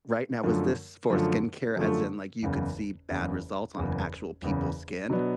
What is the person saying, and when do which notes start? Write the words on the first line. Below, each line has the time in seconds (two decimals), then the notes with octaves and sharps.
Right now, was this for skincare as in, like, you could see bad results on actual people's skin?
0.44 F#2 D3 F3 A3
1.10 F#2 D3 F3 A3
1.76 F#2 D3 F3 A3
2.43 F#1 E2 C#3
3.10 F#1 E2 C#3
3.76 F#1 E2 C#3
4.42 F#1 E2 C#3
5.10 B2 F#3 B3 D4